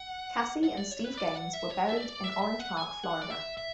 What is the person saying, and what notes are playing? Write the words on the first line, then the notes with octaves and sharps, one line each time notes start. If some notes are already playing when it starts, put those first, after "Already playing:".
Cassie and Steve Gaines were buried in Orange Park, Florida.
Already playing: F#5
F#5
D5
C#5
B4
D5
F#5
E5
C#5
E5
D5
E5
E5
F#5
G#5
F#5
D5
E5
E5